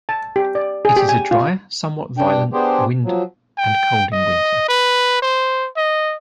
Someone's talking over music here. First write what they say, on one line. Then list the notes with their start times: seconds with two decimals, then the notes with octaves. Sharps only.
It is a dry, somewhat violent wind and cold in winter.
0.09 A5
0.36 G4
0.55 D5
0.85 G#4
0.96 G4
1.09 G#5
1.31 F4
2.18 G2 D4 G5
2.53 B3 D4 G4 G#4 C5 G5
3.05 F3 F#3
3.58 G5
4.12 D#5
4.68 B4
5.22 C5
5.77 D#5